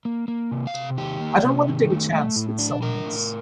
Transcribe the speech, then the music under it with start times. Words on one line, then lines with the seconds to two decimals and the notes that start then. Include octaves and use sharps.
I don't want to take a chance with someone else.
0.05 A#3
0.28 A#3
0.51 C3
0.67 F5
0.74 C3
0.97 D#3 G4
1.21 A#3
1.44 C3
1.67 D#3
1.90 A3
2.13 A3
2.36 A2
2.59 D4
2.82 D4 A#4
3.06 A2